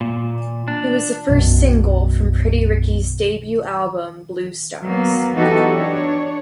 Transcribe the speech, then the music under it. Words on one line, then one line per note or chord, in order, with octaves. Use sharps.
It was the first single from Pretty Ricky's debut album "Bluestars".
A#2
D4
B1 F#2 B2
F#3 A#3 B3
E3 B3 D#4 F#4 G4 A4
D4 C#5